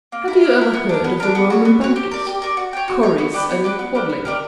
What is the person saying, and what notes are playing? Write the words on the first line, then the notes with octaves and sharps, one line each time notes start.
"Have you never heard of the Roman bankers, Correse & Quadling?"
A#3
E4 A#4
A#3
E4 A#4
B3
D4 A#4
B3
D4 A#4
B3
F#4 C#5
B3
F#4 C#5
G4
A#4 D5
G4
A#4 D5
F#4
C#5 G5
F#4
C#5 G5
B3
D4 G4 B4
B3
D4 G4 B4
B3
D4 G4 A#4
B3
D4 G4 A#4